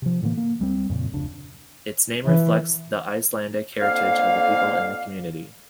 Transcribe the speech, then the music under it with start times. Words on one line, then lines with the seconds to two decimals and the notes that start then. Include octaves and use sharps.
Its name reflects the Icelandic heritage of the people in the community.
0.02 C3 F3
0.22 A2 D3 E3 A#3
0.37 A#3
0.60 C#2 G3 G#3 C4
0.90 F2 A#2 C#3
1.13 F1 D2 C#3 D4
2.25 E3
3.81 F2 D3 A#3 F5